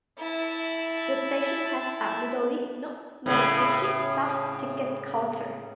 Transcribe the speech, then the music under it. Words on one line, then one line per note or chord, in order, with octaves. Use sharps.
The station has a "Midori no Madoguchi" staffed ticket counter.
E4 A5
A2 C#3